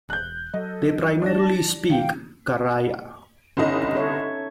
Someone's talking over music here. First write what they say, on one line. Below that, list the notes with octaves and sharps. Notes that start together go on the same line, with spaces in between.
They primarily speak Karay-a.
E1 F#6 G6
F#3 A4 D#5
D4 D5 A5 A#6
D#3 E3 F5 G5
G1 C2 C#4 D#4 D#5
A4 C#5 E5